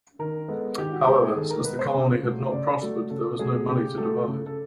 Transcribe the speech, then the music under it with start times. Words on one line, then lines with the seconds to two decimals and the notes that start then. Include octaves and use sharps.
However, since the colony had not prospered, there was no money to divide.
0.19 D#3 A#4
0.48 G#3 B3 A4
0.78 D#3 G4
0.92 F#4
1.06 G#3 B3 G4
1.22 G#4
1.36 D#3 A4
1.50 A#4
1.65 G#3 B3 B4
1.79 C5
1.94 C#3
2.23 F#3 A3
2.52 C#3 D5
2.81 F#3 A3 A4
3.10 C#3 A4
3.39 F#3 A3 G#4
3.68 C#3 G4
3.98 F#3 A3 A4
4.27 C#3 A4
4.46 A4